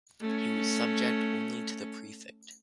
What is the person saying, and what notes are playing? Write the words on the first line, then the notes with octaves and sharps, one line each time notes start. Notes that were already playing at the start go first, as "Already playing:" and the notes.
He was subject only to the prefect.
A3 C#4